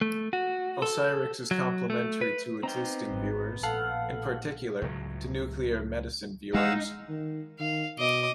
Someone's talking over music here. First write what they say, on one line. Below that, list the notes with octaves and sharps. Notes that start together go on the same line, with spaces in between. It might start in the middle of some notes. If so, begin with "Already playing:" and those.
Osirix is complementary to existing viewers, in particular to nuclear medicine viewers.
A3
F#4
A4
F#3
A3
B4
B3 C4 D#4 G5 A#5
G#1
A#1 A4 F5 F#5
C#2 A2 F#3
G#3 D#4 F5 F#5 E6
D#3
D#3 F5
B2 D#5 D6